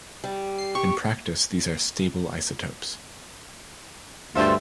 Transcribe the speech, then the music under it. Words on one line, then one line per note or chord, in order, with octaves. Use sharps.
In practice, these are stable isotopes.
G3
C7
G4 C#6
D2 G2 F4 A4 C5 E5